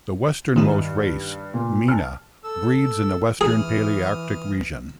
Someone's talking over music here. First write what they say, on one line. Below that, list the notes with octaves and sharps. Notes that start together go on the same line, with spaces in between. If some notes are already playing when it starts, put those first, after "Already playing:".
The westernmost race, "meena", breeds in the Western Palearctic region.
G2 D#3 D#4 E4
A#2
A5 F6
A4 E6
E3 G#4 D#6 F6